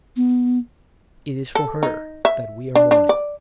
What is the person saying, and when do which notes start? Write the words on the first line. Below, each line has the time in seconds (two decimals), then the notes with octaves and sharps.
It is for her that we are mourning.
0.16 B3
1.55 A4
1.83 D#4
2.25 E5
2.75 D4
2.91 D4
3.09 D5